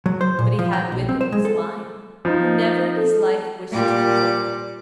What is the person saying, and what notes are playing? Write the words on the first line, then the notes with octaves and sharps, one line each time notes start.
But he had with him his lion, who never in his life wished to desert him.
F#3
C5
A#2
F3
G5
B1
C4
C5
G#3
A4
F3 D#4
A4
A#2 G3 D6